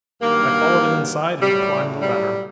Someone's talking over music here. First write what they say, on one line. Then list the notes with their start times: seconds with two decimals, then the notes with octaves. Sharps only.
I followed him inside and he climbed the ladder.
0.21 G2 D#3 F#3 A#3
1.40 A2 F#3 G3
2.00 G3